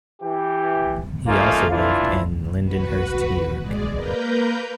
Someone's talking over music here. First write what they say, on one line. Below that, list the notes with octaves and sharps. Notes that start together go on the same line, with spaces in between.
He also lived in Lindenhurst, New York.
E3 G4
A3 A#3 C#4 D#4 F4
E3 D4 E4 F4
F#4 B4
G#3 G#4 D5
A#3 A#4 B4 A#5 G6